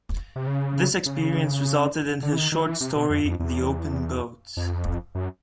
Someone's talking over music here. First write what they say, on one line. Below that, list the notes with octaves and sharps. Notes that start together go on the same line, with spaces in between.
This experience resulted in his short story "The Open Boat".
C3
C#3
C#3
D3
E3
D#3
D#3
E3
C3
B2
F2
F2
E2
F2
F#2